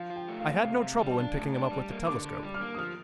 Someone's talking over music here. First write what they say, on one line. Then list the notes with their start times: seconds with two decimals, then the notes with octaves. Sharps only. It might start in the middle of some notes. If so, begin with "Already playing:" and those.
I had no trouble in picking him up with the telescope.
Already playing: F3 F5
0.10 F4
0.16 G5
0.28 A3
0.40 F5
0.46 C4
0.63 C3 F5
0.82 C3
0.99 G3
1.12 A5
1.18 D4
1.35 A2
1.54 D4
1.71 G3
1.89 A#3
2.07 D3 D6
2.25 D3
2.43 G3
2.54 F6
2.61 A#3
2.74 D#6
2.78 F3 F6